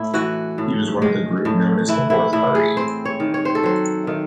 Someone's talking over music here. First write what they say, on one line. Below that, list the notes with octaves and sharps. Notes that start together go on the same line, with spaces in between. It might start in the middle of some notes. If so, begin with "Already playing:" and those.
He was one of the group known as the Fourth Party.
Already playing: A2 E4
E3 F#4
A2
G#3
A2
E3 E4
E4
A2 E4
G#4
C4 C5
C#5
D#3
C#5
C5
A4
F#3 C5
D#3